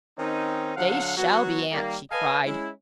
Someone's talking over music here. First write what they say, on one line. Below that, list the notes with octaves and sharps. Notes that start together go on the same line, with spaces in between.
"They shall be, aunt!" she cried.
D#3 C4 C#4 D#4
D3 F#3 F5 F#5
F#3 B3 F#4
D#3 G3 A#3
A4 B4 D#5 F5 G#5
G#3 C#4 E4